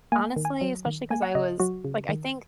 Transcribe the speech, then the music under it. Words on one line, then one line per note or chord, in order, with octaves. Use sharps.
honestly especially 'cause I was like, I think
A#3 G#5
D#3
G#5
F#3
D#3
A#3 G#5
F#5
C#3 D#5
F#3 F#4
C#3
D#3